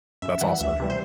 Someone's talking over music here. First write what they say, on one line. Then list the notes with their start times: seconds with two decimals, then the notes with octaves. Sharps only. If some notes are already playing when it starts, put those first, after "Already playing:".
That's awesome.
0.22 F#2 E5
0.41 E3 G3 F#5
0.60 D2 E5
0.80 C3 E3 G3
0.90 C5